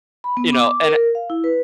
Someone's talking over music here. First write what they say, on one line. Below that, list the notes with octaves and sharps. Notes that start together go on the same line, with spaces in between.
you know and
B5
B3
D6
A#4
F5
E4
B4